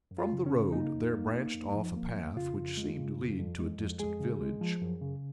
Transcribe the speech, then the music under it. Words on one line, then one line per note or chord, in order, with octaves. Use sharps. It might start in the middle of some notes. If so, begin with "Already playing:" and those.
From the road there branched off a path which seemed to lead to a distant village.
F#2
F4
C#3
C#4
C#3
A#3 D#4
F2
A#3
A#3
F2
F3
A#3
F2
C#3 F4
F2
G#3
C#3
F2
F2
G#3
F2
G#3 G#4
C#3
G#3
F3
F#2
C#3